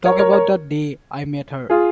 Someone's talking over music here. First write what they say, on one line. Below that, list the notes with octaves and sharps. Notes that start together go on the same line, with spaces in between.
Talk about the day I met her.
A#4 C#5
A#4 C#5
A#4 C#5
F4 G#4